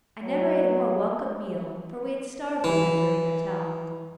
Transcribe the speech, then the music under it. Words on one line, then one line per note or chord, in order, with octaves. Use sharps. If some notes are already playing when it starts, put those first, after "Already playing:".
I never ate a more welcome meal, for we had starved in that dirty hotel.
F#3
E3